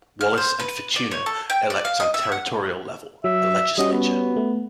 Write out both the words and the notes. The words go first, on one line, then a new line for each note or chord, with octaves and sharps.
Wallis and Futuna elects on territorial level a legislature.
F6
C5
B4
D5
C#5
A4
G5
D5
F5
D#5
E5
F#5
F#3 E5
G3 C#4 F#4 D#5
B3
A3